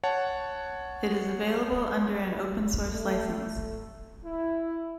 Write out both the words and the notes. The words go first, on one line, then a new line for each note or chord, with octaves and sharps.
It is available under an open-source license.
C#5 F#5 A5
A3
E4